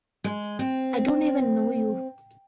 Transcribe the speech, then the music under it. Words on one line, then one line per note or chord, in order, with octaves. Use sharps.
I don't even know you.
G#3
C4